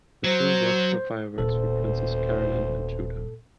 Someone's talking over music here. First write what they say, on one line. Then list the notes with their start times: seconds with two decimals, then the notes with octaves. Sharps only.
The two watch the fireworks for Princess Carolyn and Judah.
0.24 F#3 C5
1.38 D#1 D2 A#2 G3 B3 A4 C5